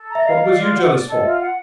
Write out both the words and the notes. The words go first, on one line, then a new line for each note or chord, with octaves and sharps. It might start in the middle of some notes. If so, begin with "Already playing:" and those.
What was you jealous for?
Already playing: A4
A#5
E5
D#5 F5
D5
F4
F#5
D5
A4
D#5
F4 E5
F#5